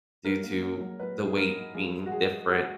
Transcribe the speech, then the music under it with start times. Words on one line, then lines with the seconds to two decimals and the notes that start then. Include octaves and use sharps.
due to the weight being different
0.25 F#3 A#4
0.44 A#3
0.63 F#3
0.80 F#3
1.00 F#3 B4
1.18 G#2
1.26 G#4
1.37 F#3 A#4
1.56 G#2
1.74 F3 G#4
1.93 G#3
2.06 F#4
2.12 G#3 G#4
2.30 G#3
2.49 G#3 F#4